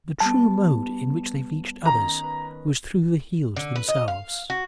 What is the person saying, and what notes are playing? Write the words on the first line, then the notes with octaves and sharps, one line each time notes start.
The true mode in which they reached others was through the healed themselves.
G3 B3 A5
D#3 C#4 A#5
B4
D3
B4
D#5
F5
F#4